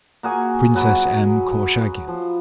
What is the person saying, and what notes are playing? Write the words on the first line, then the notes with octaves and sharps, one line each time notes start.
Princess M. Korchagin.
A#3 F#4 G#4 G#5
F#3 F#4 B4
F3